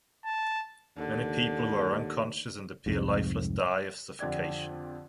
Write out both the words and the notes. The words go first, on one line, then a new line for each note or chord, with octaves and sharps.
Many people who are unconscious and appear lifeless die of suffocation.
A5
D#2 D3
C2 F2 G#2
F2 D3 G4 D5 G#6